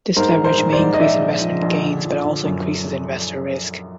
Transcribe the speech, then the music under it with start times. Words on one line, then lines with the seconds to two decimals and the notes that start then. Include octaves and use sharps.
This leverage may increase investment gains but also increases investor risk.
0.16 G#2 A#4 C5
0.38 A#1
0.44 A#4 C5
0.58 A#1
0.73 C5 D5
0.79 G#2
0.94 D#5
1.00 A#1 D5 E5
1.20 A#1
1.42 F3
1.62 A#1
1.83 D3
2.05 F3
2.25 D3
2.45 F#2